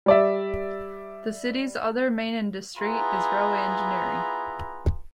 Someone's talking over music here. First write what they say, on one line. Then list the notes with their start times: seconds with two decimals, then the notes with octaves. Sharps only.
The city's other main industry is railway engineering.
0.06 G3 D5 E5
2.78 B3 E4 F4 G#4 A#5